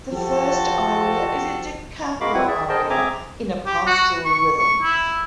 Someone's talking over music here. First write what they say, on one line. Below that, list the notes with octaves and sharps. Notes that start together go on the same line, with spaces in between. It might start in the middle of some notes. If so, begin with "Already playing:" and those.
The first aria is a da capo aria in a pastoral rhythm.
F3 F#4 G4 A4
G#3 F#4 A#4 F5 B5 D6
C4 E4 B4 F#5
G#4 D5 E5
G#4 A#4 C5 D#5 G5 A5
C4 G#4 E5 G#5 A#5 D6
G4
F#4
C#6
C#6
E4